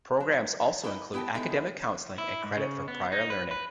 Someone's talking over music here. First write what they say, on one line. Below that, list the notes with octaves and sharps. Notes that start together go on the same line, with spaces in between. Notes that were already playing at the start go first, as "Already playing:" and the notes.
Programs also include academic counseling and credit for prior learning.
F#3
D#4 E4 B4 D#5
B3 E4 G4 G5 A5
G#3 B3 D#4 E4 G4 A4
E4
G#2
C#3
B3
D#4
B4
B4